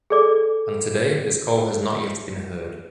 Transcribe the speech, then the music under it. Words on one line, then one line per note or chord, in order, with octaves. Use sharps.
And today, this call has not yet been heard.
G#4 A4 D5 D6